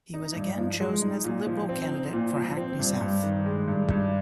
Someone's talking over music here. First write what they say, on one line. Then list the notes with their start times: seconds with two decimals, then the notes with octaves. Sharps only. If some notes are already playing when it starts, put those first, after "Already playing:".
He was again chosen as Liberal candidate for Hackney South.
0.14 D#4
0.36 G2
0.58 F3
0.80 G#3
1.02 D#4
1.24 A#2
1.47 F3
1.69 C4
1.91 D#4
2.13 A#2
2.35 F3
2.57 C4
2.79 G2
3.01 G2
3.23 D#3
3.46 G#3
3.68 G2
3.90 G2